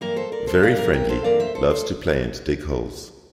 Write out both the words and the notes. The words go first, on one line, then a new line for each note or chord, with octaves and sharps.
Very friendly, loves to play and dig holes.
G2 E3 A#3 D4 A#4 D5
A4 C5
A#4 D5
A4 C5
G2 E3 A#3 D4 A#4 D5
A#4 D5
G4 A#4
A4 C5
G2 E3 A#3 D4 A#4 D5
C5 E5
A4 C5
A4 C5